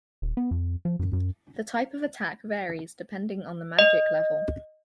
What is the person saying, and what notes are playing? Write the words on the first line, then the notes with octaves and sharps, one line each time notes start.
The type of attack varies depending on the magic level.
D#1
B3
F2
F3
F#2
F#2
D#5